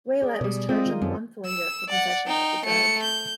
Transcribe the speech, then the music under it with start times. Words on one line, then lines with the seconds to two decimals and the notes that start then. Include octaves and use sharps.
Waylett was charged a month later for possession of the drug.
0.22 G#4 D5
0.41 B2 G3
0.69 G#3 C4 F4 D#5
0.85 D#3 F4 A#4
1.02 F#2 C4 A4
1.46 E6
1.89 D5 F#5
2.27 D#4 G5
2.65 A3 C#7
3.03 G6